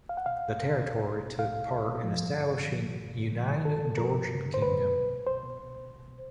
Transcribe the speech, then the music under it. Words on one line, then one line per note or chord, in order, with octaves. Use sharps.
The territory took part in establishing united Georgian Kingdom.
C2 F5
F#5
B2 F5
C2
B2
C2
B2
C2
B2
C2 F5
B2
C2
B2
F3
G2
G2
D3
F3
G2
G2
D3
F3
G2
G2 A4
D3
F3 A#4
G2
G2
D3
C5
C2 B4
B2
C2
B2
C2 C5
B2
C2
B2
C2
B2